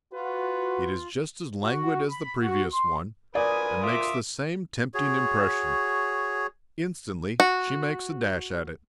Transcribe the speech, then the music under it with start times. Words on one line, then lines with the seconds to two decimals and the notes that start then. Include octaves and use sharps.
It is just as languid as the previous one, and makes the same tempting impression. Instantly she makes a dash at it.
0.13 F4 F#4 B4
1.65 F#4
2.10 B5
2.43 F#4
2.73 C6
3.35 D2 A#2 B4 D5 G#5 D#6
3.83 F4 E5 D6
4.94 F#4 G#4 C#5
7.40 F#4